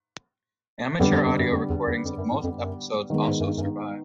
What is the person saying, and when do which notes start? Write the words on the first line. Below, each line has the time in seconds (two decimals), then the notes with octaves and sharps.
Amateur audio recordings of most episodes also survive.
0.99 F2 D3 G3 B3
1.12 F2
1.26 F2
1.39 F#2
1.52 F2
1.70 E2
1.87 E2
2.05 F2
2.17 F#2
2.31 G#2
2.44 F2
2.57 F#2
3.10 D#3 G#3 B3
3.28 G#2
3.40 F#2
3.45 G2
3.58 F#2
3.62 G2